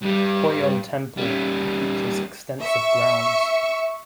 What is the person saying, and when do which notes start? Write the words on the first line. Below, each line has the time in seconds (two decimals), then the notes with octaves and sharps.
Pohyon temple features extensive grounds.
0.02 G2 G3
1.17 G3 C#4
2.61 E5 C#6